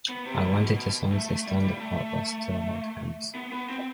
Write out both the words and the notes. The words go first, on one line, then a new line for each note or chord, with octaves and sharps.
I wanted the songs to stand apart but still hold hands.
B3
C3
B2
B2
B2
A3
A3
G3
G3
A3
B3
B3
C4